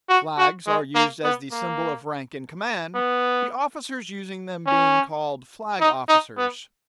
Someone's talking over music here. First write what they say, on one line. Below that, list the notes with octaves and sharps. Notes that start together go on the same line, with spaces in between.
Flags are used as the symbol of rank and command, the officers using them being called flag officers.
F#4
F#4
G#3
A#3
B3
A#3
B3
C#4
D#4
D#4
B3